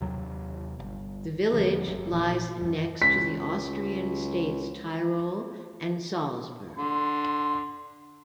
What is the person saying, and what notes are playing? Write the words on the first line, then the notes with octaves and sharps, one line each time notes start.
The village lies next to the Austrian states Tyrol and Salzburg.
D#2 C3 F#3
G1
E1 D3 F3
G1 F#2
G#1 A#2 E3 F3
E1 F#2
C#2 B6
D3 C6